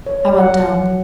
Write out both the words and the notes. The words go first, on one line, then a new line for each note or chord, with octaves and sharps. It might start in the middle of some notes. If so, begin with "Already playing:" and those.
I went down.
C#5
F#5
F#3